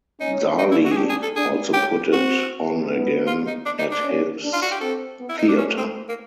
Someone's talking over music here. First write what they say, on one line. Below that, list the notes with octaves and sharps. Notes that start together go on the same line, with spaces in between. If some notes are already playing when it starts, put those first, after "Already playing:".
Daly also put it on again at his theatre.
C#4 D#4
D#4
E4
F#4
G#4
D4 G4
G#4
A4
D4 G#4
C#4 G4
C4 F#4
B3
F4
D#4
D4
D#4
D4
C#4
D4
F4
F#4
G4
C4 A4
B3
E4
D#4
D4
A3 C#4
C4
A#3